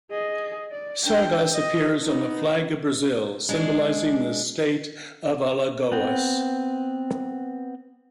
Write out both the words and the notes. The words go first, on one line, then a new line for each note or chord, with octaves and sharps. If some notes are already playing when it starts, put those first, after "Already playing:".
Sargas appears on the flag of Brazil, symbolising the state of Alagoas.
G#4 D#5
D5
D4 G5
D#5
B3 D#4
G#3 D4
B3 C4